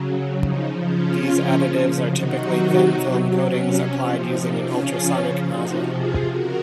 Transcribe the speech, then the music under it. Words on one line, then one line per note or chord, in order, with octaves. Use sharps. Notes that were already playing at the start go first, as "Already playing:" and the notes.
These additives are typically thin film coatings applied using an ultrasonic nozzle.
Already playing: C#3 F#3
C#3 F3 D#4
C#4 F4
C#3 F3
C3 D#3 F#3 D#4 F#4
C3 F#3
C#4
C3 F3
D#4
C#3 F3 C#4 F4
C3 F3 D#4 F#4
F4 G#4
C#3 F#4 A#4